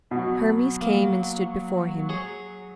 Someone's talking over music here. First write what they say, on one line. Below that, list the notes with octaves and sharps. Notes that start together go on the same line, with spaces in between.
Hermes came and stood before him.
B2 F#3
A#3
G#4 C#5